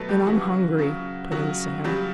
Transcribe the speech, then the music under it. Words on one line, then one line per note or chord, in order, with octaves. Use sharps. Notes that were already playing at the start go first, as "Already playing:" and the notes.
"And I'm hungry," put in Sam.
Already playing: B2 F#3 A3 B3 A4 B4
G3 G4
C#3 E3 F#3 F#4
C#3 F#3
C#3 F#3 F#4
C#3 F#3 G3 G4